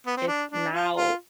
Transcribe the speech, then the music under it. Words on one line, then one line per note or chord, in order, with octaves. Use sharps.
it's now
B3
C4
D4
D4
F4
F4